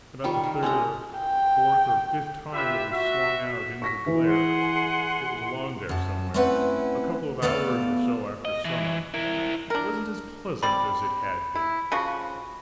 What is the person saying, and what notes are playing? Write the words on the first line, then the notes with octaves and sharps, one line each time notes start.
About the third or fourth or fifth time that we swung out into the glare--it was along there somewhere, a couple of hours or so after sun-up--it wasn't as pleasant as it had been.
D#3 G3 F4 C#6
D#3
G#3 C#4 A4 A#5
G5
F4 G4 B4 E5
F#4 E5
C#6 A#6 B6
E3 B4
G#4 F#5 C6
F#2 A5
A3 C4 C#4 E4 B4 F#5
A3 B3 A4 D5 F5
D#5
E3
E4 A#4
D4 A#4
G3 C4 D5 B5
E4
C#3 F3 F#4